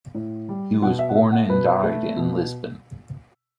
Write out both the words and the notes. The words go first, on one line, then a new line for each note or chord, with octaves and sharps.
He was born and died in Lisbon.
A2
G3
B2 F#5
E5
F#5
A3 E5
F#5
B2 B4
A3
B2